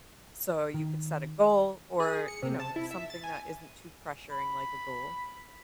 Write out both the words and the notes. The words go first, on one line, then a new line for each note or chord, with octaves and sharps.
So, you could set a goal or, you know, something that isn't too pressuring like a goal.
D#3
G#4
C#7
C3
A5
E4
E5
A6
G#5
B5